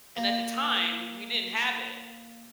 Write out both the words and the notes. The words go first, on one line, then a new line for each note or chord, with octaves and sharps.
and at the time we didn't have it.
A#3